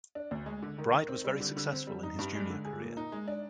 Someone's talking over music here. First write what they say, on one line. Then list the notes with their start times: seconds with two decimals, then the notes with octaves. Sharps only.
Bryde was very successful in his junior career.
0.15 D4
0.31 D2
0.46 G#3
0.62 D3
0.78 D#3
0.93 D#3
1.08 C4
1.24 G3
1.40 D3
1.56 D3
1.72 C4
1.87 G3
2.03 D#4
2.19 G2
2.34 G#3
2.50 D3
2.65 G#4
2.80 A#2
2.97 D#4
3.12 G#3
3.28 D4